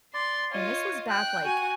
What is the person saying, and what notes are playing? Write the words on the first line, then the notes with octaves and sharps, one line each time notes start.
and this was back, like,
D5 C6
F4 C#5 D#5
G5 F#6
F#4 G#5